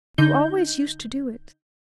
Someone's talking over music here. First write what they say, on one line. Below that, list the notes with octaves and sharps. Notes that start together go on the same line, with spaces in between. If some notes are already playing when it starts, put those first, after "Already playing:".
"You always used to do it."
D3 D#4 G6